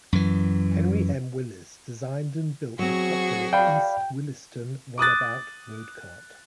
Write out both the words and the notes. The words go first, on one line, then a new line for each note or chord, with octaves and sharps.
Henry M. Willis designed and built the popular East Williston Runabout Roadcart.
F#2 E3
F#3 C4 F#4 G#4
D5 F5 G5 B5
D6 D#6 F#6 A6